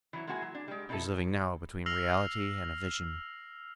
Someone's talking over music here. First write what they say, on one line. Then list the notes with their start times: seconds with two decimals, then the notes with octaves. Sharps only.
She was living now between reality and a vision.
0.13 E3 F#3 E4
0.27 G#3 A#3 E4 F#4 A4 G#5
0.42 F#3
0.55 D4
0.68 G3 G#3
0.89 B2 D#4 E4 G#4 A4 A5
1.86 E6 F6 A#6 C7 F7 F#7